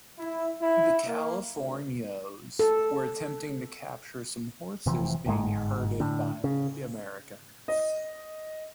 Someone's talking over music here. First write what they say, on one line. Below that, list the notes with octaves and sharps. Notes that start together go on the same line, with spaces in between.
The Californios were attempting to capture some horses being herded by the Americans.
E4
E4
A#3
D2
A4
F1 C3 E3 F3
G1 G#2 G#3
A2 D3
C#3
D#5